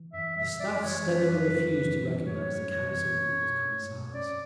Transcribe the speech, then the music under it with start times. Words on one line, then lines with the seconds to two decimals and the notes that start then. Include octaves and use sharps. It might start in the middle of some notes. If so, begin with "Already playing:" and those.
The Staff steadily refused to recognise the Council of People's Commissars.
Already playing: E3
0.13 F#2 E5
0.36 G3 E5
0.60 F#2 D5
0.83 E3 C#5
1.08 F#2 B4
1.31 G3
1.55 F#2
1.78 E3
2.01 F#2
2.25 G3 C#5
2.49 F#2
2.73 E3
2.96 F#2
3.20 C#4
3.43 B2
3.66 A3
3.90 B2
4.14 C#4 D5